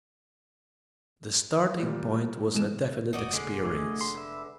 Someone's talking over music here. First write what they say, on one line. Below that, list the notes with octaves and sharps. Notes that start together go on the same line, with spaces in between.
The starting point was a definite experience.
A#2 G3
B2 E3 G#3 E7
F1 B2 D#4 F#4 D5
D3 G#3
A3 G#4 D#5
C6
B4 E5